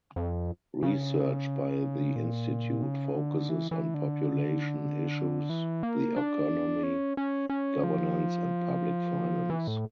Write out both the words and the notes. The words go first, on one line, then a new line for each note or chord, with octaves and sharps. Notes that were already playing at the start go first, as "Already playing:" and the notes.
Research by the institute focuses on population issues, the economy, governance and public finance.
F2
C#3
A#2
C#3
D3
E3
E3
D3
E3
A#3
D4
C#4
C#4
C#4
F3
E3
A2